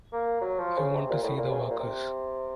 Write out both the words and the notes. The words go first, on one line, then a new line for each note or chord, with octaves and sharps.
I want to see the workers.
A#3
F#3
F3
C#3
C3
A#2
A2
A#2
C#3
C3
A#2
C3